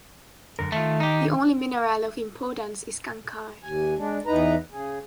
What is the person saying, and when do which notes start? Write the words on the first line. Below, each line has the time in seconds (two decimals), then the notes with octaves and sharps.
The only mineral of importance is kankar.
0.59 F#2 D3 A#4
0.72 D#3 A3 F4
1.00 D#4 G4
3.63 D#2 G#5
3.98 G#3 D4
4.26 E2 E3 B3 D#4 B4 A#5
4.72 C#3 G#4